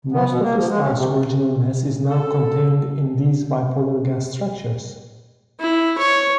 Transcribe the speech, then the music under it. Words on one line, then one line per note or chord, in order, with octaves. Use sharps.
Most of the star's original mass is now contained in these bipolar gas structures.
B3
B2
A#3
F3
G#3
C#4
C3
A4
E4
C#5